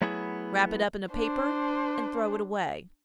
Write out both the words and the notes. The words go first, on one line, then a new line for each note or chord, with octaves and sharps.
Wrap it up in a paper, and throw it away.
F#3 A3 B3 E4 G#4
D4 C5